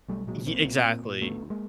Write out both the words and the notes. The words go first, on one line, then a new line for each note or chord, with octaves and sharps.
ye exactly.
B1 G3 A3
A#2 F#3 G#3
B1 A#3 C4
A#2
A#2
A#2
D2 A3 B3
D2
G#3 A#3